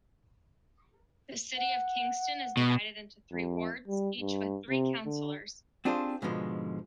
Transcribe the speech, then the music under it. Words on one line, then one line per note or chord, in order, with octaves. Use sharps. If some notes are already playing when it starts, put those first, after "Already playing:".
The City of Kingston is divided into three wards, each with three councillors.
F#5
B2
F2
G3
G2
C3
D3
C4 D4 F4 G4 G#4 C5
G#2 B2 D3 F3 G#3